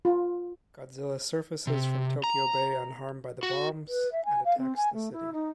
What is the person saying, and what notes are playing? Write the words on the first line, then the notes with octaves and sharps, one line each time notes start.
Godzilla surfaces from Tokyo Bay unharmed by the bombs and attacks the city.
F4
C3
A#5
F#4
B4
E5
G#5
F5
C4
G#5
A3
E4
D#4